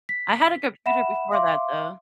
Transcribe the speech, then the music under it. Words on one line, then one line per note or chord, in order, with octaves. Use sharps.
I had a computer before that, though.
B6
E5 F#5 B5 E7
E5 F5 C6 D6